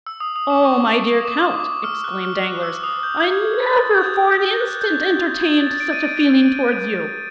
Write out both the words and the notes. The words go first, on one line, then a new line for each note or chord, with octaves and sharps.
"Oh, my dear count," exclaimed Danglars, "I never for an instant entertained such a feeling towards you."
E6
D#6
D#6
D6
C#6
D6
D6
F6
F#6
F6
F#6
E6
D#6
G6
G#6
A6
G#6
G6
G6
F#6
G6
G#6
A6
D7
D#7
D7